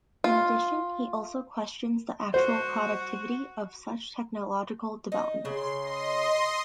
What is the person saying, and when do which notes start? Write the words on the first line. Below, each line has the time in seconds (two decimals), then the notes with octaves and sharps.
In addition, he also questions the actual productivity of such technological developments.
0.24 F4
2.34 F#4 C5
5.12 D#4
5.45 C#3 C6
5.80 D#5 C6